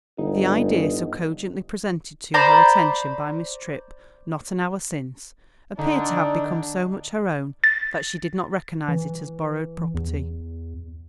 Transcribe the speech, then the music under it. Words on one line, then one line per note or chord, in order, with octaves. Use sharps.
The idea so cogently presented to her attention by Miss Tripp not an hour since appeared to have become so much her own that she did not recognise it as borrowed property.
G1 D#4
C5 D5 A#5 B5
D3 D4 D#4
A6
E3
E2